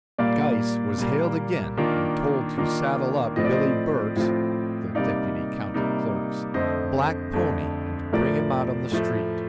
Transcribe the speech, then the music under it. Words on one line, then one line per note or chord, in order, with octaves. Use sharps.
Geiss was hailed again and told to saddle up Billy Burt's, the Deputy County Clerk's, black pony and bring him out on the street.
A#2 G3 A#3 D5 F5
A#2 G3 A#3
D#3 A#3 D4 F4
D#3 A#3 D4 F4
A2 F3 C4 F4 D#5
D5
C5 D#5
A2 F3 C4 F4
C3 G3 A#3 D#4 D5 F5
C3 G3 A#3 D#4
F2 D3 A3 C5 D#5
F2 D3 A3
A2 F3 A3 A#4 D5
A2 F3 A3